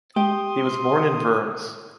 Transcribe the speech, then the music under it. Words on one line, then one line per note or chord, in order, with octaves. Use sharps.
He was born in Worms.
G#3 G4 C6 D#6